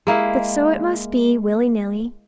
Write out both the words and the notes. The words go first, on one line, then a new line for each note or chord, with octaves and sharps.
But so it must be, willy-nilly.
G#3 A#3 E4